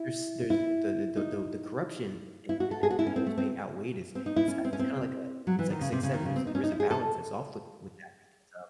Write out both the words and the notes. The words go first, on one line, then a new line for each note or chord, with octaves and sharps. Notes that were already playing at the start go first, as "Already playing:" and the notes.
there's there's the the the the the corruption and and how it's being outweighed is is, uh it's kinda like a, you know, it's like six-seven, there's there is a balance that's off with with that because, um
Already playing: E4
E4
D#4
E4
F#4
A4
G#4
F#4
E4
C#4
C4
A3
C4
C4
D#4
E4
C#4
C4
C#4
C4
F#3
E3
D#3
C#3
C3
C#3
D#3
C#3
C4
D#4
C#4
D#4
E4
G#4
A4